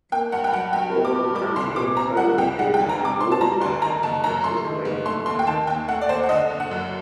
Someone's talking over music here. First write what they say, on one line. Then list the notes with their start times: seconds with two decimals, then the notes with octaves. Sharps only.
Ball has also appeared on "Walker, Texas Ranger".
0.12 A#3 G5
0.32 G2 F#5
0.44 G5
0.53 F#3 F#5
0.73 G2 G5
0.94 A#3
1.05 D6
1.15 G2
1.35 G3 D6
1.56 C2 C6
1.76 A#2 D6
1.97 C4 A#5
2.17 G3 F#5
2.38 C2 G5
2.59 G3 F#5
2.74 G5
2.79 D2
2.89 A#5
3.00 C3
3.05 D6
3.21 C4 C6
3.32 A5
3.41 G3 A#5
3.61 D2 C6
3.82 D#3 A#5
4.03 F#1 A5
4.24 F#2 A#5
4.44 A3 C6
4.65 D#3
4.85 F#1
5.06 A3 C6
5.26 D#2 C6
5.39 G5
5.47 D#3 A5
5.67 D#2 G5
5.88 A3 F#5
6.01 D5
6.09 D#2 C5
6.24 F#5
6.29 D3 D#5
6.50 F#1
6.60 F#5
6.71 F#2